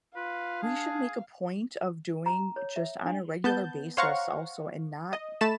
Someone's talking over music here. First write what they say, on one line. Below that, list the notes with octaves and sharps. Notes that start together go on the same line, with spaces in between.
we should make a point of doing just on a regular basis also, and not
F4 B4 F5
D4 G#4
A#5
C#5
E5
D4
B3 A5 G6
C5 C#5 F5 F#5 A#5 C#6
D#5
A3 A5 B5 E7